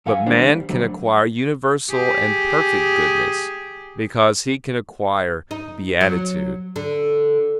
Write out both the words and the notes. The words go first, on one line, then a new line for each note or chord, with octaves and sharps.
But man can acquire universal and perfect goodness, because he can acquire beatitude.
F3 A4 F5 F#5 G#5
D#3 G#3 A#3 B3 D4 C5
G3
D3 F#3 G3 A3 C4
G4 G#4
D#4
F#3
D3